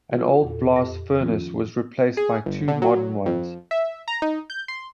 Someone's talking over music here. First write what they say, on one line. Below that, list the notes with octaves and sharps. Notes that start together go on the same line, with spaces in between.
An old blast furnace was replaced by two modern ones.
B3 F4 F#4
E2 A#2 A4
F2 G4 D#5 A#6
D#3 F3 B3 C#4 F4
G#4
G1
D3
F#3
F2
E5
A#5
D#4
G6
C6